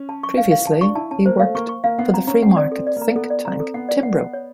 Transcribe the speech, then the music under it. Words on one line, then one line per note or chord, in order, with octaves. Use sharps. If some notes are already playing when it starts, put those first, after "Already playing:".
Previously, he worked for the free market think tank Timbro.
Already playing: C#4
A5
C#6
F5
F5
A5
D4 C#6
E4 A5
C#4 A5
A#3 C5
A3 F5
A#3 C#6
C#6
A#3 F5
B3 F#5
C4 A#5
C#4 A#5
C4 F#5
C4 D5
A4
C4
D5
A#3
A#5
B3 A4
D5
C4 A#5
A4
B3 F#5
D5
F#5
F#5
C#5